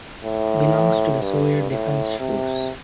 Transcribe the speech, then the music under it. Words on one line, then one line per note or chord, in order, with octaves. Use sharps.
Belongs to the Soya Defense Force.
A2
G2
A2
C3